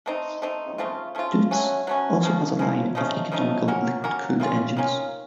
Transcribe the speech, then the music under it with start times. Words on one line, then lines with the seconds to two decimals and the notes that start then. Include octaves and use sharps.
Deutz also has line of economical liquid-cooled engines.
0.06 A3 C4 D#4
0.42 A3 C4 D#4
0.78 C#3 A3 C4 F4
1.15 C#3 A3 C4 F4
1.51 F#3 A3 C#4
1.87 F#3 A3 C#4
2.23 C#3 F3 A#3
2.59 C#3 F3 A#3
2.95 C#3 F3 A3 D#4
3.32 C#3 F3 A3 D#4
3.68 A#3 C#4 F#4 A#4
4.04 A#3 C#4 F#4 A#4
4.40 D#3 A#3 C#4 F4
4.77 D#3 A#3 C#4 F4